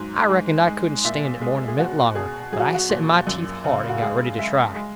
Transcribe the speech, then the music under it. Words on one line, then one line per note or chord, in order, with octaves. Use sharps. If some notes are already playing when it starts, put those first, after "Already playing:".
I reckoned I couldn't stand it more'n a minute longer, but I set my teeth hard and got ready to try.
Already playing: G#2 F#3
G#3
G#3
A#2 E5
G#3 G#4
G#4
B2 F#4
B2 G#4
F#3 G#4
F#4
F#4
A#2
F#2
C#3
F#4
G#3 G#4
G#3 E5
G#3